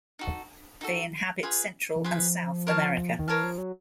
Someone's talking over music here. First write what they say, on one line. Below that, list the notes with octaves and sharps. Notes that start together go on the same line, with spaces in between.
They inhabit Central and South America.
D#4 F#4 A4
D#4 F#4 A4
F4 G#4 B4
E3
F3 F4 G#4 B4
A#4 C#5 F5 A5
D#3
E3 A#4 C#5 F5 A5
F3
F#3